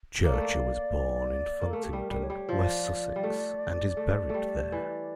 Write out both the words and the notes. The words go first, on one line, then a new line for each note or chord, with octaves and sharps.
Churcher was born in Funtington, West Sussex and is buried there.
A#3 D5
A3
A#3
A#3
A4
A3 A#4
G4
G3 A4
A#4
G3 A#4
C#5
G3
F3 D5
G3
A3
A3
G3 A3
E3